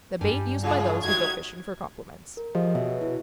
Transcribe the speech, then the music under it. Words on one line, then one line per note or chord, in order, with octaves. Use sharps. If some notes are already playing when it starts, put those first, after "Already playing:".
The bait used by those who go fishing for compliments.
G2 G3 G#5
A2 C#3 F4 G#4
A2 D#3 G3 F#4 G#6
A#4
F3 G4 G#4 D#5
B2 C#5 E5
E4